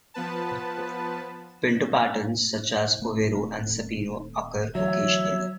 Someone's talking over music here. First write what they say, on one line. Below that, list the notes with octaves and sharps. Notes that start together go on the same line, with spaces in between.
Pinto patterns such as overo and sabino occur occasionally.
F3 B3 B4 A5
D#1 A3 C4
D2 E3 F#3 C#5 E5